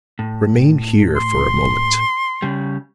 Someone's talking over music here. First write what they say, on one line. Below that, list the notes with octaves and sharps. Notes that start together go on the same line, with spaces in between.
"Remain here for a moment."
A2
C6
C#3 G3